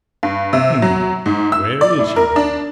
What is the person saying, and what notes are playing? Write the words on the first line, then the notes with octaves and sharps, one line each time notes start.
"Hm, where is he, then?"
G2
C3
F#3
G#2
E6
D5
A2
A#4
D4